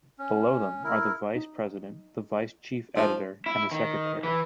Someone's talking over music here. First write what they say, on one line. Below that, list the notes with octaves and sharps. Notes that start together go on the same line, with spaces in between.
Below them are the vice president, the vice chief editor, and the secretary.
C#4
E4 A#4
D#4
G#2 F3 E5
E4
D#3
E3